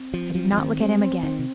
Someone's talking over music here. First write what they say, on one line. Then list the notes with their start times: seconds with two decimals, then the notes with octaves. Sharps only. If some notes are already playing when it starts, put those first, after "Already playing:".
I did not look at him again.
Already playing: C4
0.14 F3
0.35 F3
0.52 F3
0.57 D#3
0.79 G3
1.23 D#3
1.39 C3